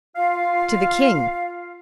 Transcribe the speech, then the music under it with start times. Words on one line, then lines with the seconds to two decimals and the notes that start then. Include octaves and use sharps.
"To the king."
0.16 F4 F5